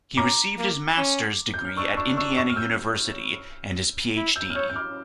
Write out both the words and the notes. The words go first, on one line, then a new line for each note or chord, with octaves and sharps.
He received his master's degree at Indiana University, and his PhD.
C#4 A#5 D6
A#3
C#4
G6
F6
D4 C#6 E6
C#6 E6
C#6 E6
C#6 E6
F6
E6 G6
E4
E6 G6
F6
C#5 E6 G6
G6
D6 F6